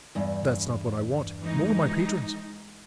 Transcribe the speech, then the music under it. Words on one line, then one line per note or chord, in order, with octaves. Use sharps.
That's not what I want, nor my patrons.
E2 G2
E3 G#3 D#4